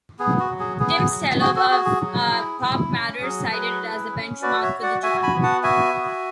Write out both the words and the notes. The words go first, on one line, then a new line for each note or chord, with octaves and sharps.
Tim Stelloh of "PopMatters" cited it as the "benchmark" for the genre.
B3 G#4
F#4
F#3
G#4
B3 G#4
F#3
F#4 G#4
F#4 A4
F#4 G#4
G#4
F#3
E4
E4
C#4
F#3 G#4
F#3 G#4 B4
E4
C#4
F#4 B4 D5
C#5 E5
F#4
D5 F#5
F#4 E5 G#5
G#5 B5
B3
F#5 A5
F#4 E5 G#5
F#4